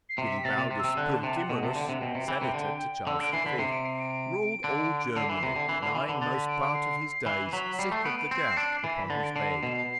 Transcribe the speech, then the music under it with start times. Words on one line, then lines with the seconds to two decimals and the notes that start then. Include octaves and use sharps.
Bilibaldus Pirkimerus, senator to Charles the Fifth, ruled all Germany, lying most part of his days sick of the gout upon his bed.
0.09 C7
0.18 C3
0.27 B6
0.45 C3 A6
0.58 C3
0.71 C3
0.79 E6
0.84 C3
0.97 D3 F#6
1.10 A5
1.23 C3 A5
1.37 F#5
1.49 B2
1.63 C3 A5
1.76 D3 G5
1.89 C3 F#5
2.02 B2 G5
2.15 C3
2.28 E3
2.41 C3
2.54 D3
3.07 D3 E6
3.20 D3 D7
3.32 E3 C7
3.46 D3 B6
3.59 C3 C7
3.72 D7
3.85 C7
3.99 D7
4.64 D3
5.16 D3 C7
5.29 E3
5.43 C3
5.56 D3
5.69 E3
5.82 D3
5.95 E3
6.09 D3
6.21 D3 A6
6.35 B6
6.48 D7
6.61 D7
6.74 C7
7.26 E3 C7
7.53 F#3 B6
7.79 G3 C7
7.92 A3 C7
8.05 B3 D7
8.17 D7
8.31 C4 D7
8.44 C7
8.57 D4 D7
8.71 C7
8.84 E3 C7
8.97 B6
9.10 D3 A6
9.23 D7
9.36 D3 C7
9.63 B2